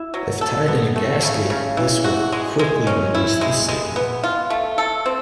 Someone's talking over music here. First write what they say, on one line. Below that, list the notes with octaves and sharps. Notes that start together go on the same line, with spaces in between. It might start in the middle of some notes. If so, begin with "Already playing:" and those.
If tied in a gasket, this will quickly release the sail.
Already playing: E4
F#3
A4
B3
A3
C#3
C#3
E3
F#4
G#3
G#3
C#4
E4
G#3
G#3
B3
F4
A3
A4
C4